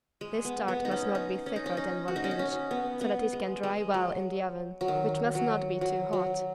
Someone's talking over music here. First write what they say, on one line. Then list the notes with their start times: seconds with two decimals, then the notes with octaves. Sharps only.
This tart must not be thicker than one inch, so that it can dry well in the oven, which must not be too hot.
0.21 G#3
0.45 B3
0.68 B3
0.85 D#4
0.91 C#4
1.15 D#4
1.46 C#4
1.56 D#4
1.66 C#4
1.77 D#4
2.08 F#4
2.16 D#4
2.24 C#4
2.31 D#4
2.39 C#4
2.71 B3
3.01 B3
3.33 G#3
3.63 G#3
3.94 F#3
4.81 F#3
4.88 D#3
5.35 F#3
5.81 F#3
6.13 F#3